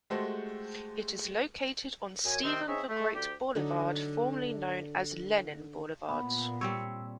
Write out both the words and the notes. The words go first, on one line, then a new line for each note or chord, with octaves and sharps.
It is located on Stephen the Great Boulevard formerly known as Lenin Boulevard.
G#3 A3 F#4 G4 A4 C5
F#2 G#5
C3 D#3 C4
C4 D#4 G#4 C#5 D#5 E5
A3
D2 G4
D3 F#3 D4 D#4
A#2 B3 B5
G3 C4 C#5 E6